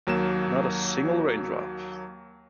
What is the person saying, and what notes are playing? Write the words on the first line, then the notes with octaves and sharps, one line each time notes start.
Not a single raindrop!
D#2 F#3 A#3 E7